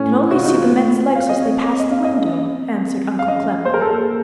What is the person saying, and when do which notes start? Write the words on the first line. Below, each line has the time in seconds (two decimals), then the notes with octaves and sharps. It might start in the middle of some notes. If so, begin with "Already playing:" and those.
"We can only see the men's legs as they pass the window," answered Uncle Clem.
Already playing: A2 C#4
0.31 C3 F#4
0.38 F4
0.45 D#4
0.52 F4
0.68 A3
1.05 C4
1.16 F5
1.29 D#5
1.42 C#5
1.79 D#5
1.91 F5
2.04 D#5
2.17 C#4 D#5
2.54 C4
3.19 F5
3.28 C#4 D#5
3.65 A#3 C5
3.74 A#4
3.82 A4
3.90 A#4